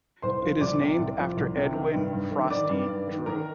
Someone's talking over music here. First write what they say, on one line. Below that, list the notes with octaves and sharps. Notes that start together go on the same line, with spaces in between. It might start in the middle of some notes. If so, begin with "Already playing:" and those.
It is named after Edwin "Frosty" Drew.
C2 C5 C6
F3
C2 D5 D6
C3
C2
F3
C2
C3
D#3
G2
G2
D#3
D#3 D5 D6
G2
G2
D#3
D#3 A#4 A#5